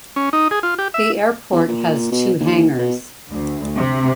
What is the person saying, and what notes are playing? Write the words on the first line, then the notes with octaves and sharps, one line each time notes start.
The airport has two hangars.
C#4
D#4
G#4
F4
G4
E5
E2
A#2
B2
D#2
B2
D2
C3